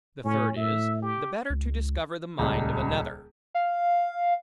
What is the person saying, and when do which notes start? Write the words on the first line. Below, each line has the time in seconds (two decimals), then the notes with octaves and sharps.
The third is, the better to discover the mind of another.
0.25 A2 C#4
0.56 A2 E5
1.02 G4
1.50 C#2
2.39 D#1 C#2
3.55 F5